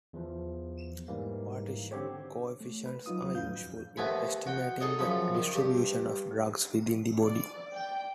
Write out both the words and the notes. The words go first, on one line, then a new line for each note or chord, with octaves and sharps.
Partition coefficients are useful in estimating the distribution of drugs within the body.
E2 E3 F3
G#2 E3 G3 A#3
D3 C4 G4 C#5
A3
B4
F#3 D#4 F4 D#6
D#2 F#3 B4
F2 A2 C#4 F5 G6
D#2 A3 B3 C4 G#5 B5
F#4 G5
D#4 G#4 A4 C#5 D#5
F#2 C#3 F3 B5
D#3
G2 G4
D5
G5